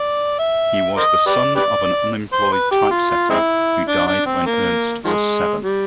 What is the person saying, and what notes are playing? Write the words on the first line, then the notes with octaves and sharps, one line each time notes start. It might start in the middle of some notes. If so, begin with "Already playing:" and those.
He was the son of an unemployed typesetter, who died when Ernst was seven.
Already playing: D5
E5
A#4 C5 D#5
G4 B4 D5
G4 B4 D5
C5
B4
G4
F4
F4
G#3 C4 E4
D4
D4
C4
A#3
D#3 F3 G#3
G3